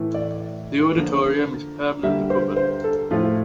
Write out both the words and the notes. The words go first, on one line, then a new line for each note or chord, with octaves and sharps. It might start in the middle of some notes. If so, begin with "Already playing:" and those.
The auditorium is permanently covered.
Already playing: A2 E3 A3
D5
D3 F3 A#3
D3 G3 A#3 E5
C5
C5
A4
A2 F3 A3 F4